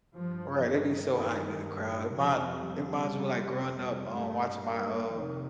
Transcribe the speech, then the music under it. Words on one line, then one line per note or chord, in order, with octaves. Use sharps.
Right, they'd be so hyped in the crowd. It mind it reminds me, like, growing up, um, watching my, uh,
G2 F3
D#3
G2
F2 C3 F3
G3
F2 C3
G2 A3
A#3
F2 C3 D#3